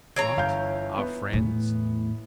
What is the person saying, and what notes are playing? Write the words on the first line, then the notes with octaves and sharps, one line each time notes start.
"What! our friends?"
E3 C#5 A#5 G#6 C7 D7
G1 F5 G6
B3
E2 A2